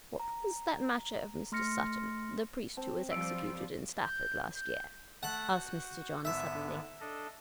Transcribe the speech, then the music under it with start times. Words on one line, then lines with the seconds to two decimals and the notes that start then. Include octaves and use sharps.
"What was that matter of Mr. Sutton, the priest who was executed in Stafford last year?" asked Mr. John suddenly.
0.20 A#5
1.52 A3 C6 F6 A#6 C#7
2.77 C4 A5
3.11 F3 G3 E6 D7
4.01 G6
4.52 G6
5.23 A3 F#5 A5 F#6
5.53 F#4 G6
6.25 G#2 D3 B3 E5
7.00 D4 A4 D#5